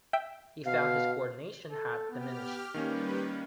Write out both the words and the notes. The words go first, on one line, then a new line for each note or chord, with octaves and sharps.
He found his coordination had diminished.
E5 G5
B2 F5
A4
B3 G4 F6
D#3 G3 A#3 C#4 G4 B4